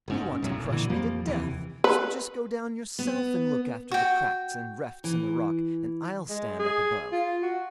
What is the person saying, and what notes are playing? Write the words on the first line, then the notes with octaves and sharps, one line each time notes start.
You want to crush me to death; so just go down yourself and look after the cracks and refts in the rock, and I'll stand up above.'
F#1 G#2 C#4
B1 F#2 A2
A#2 D3 E3
F2 F3 G3 A#3
F1 D#2 C3 E3
B4
B3
F#4 G5
E3
G#3
G#4
F4
F#4